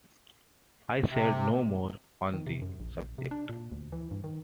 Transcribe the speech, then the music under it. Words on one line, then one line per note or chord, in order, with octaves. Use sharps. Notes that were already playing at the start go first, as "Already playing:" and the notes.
I said no more on the subject.
C3
D#3
C3
F#2
A#1
C3
D4
A#2
D2
E3
G2
D#3